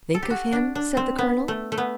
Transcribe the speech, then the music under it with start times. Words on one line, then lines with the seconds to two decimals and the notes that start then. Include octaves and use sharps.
"Think of him?" said the colonel.
0.14 A4
0.23 G4
0.30 F#4
0.52 D4
0.75 D4
0.97 C4
1.18 B3
1.48 A3
1.72 A3
1.78 B3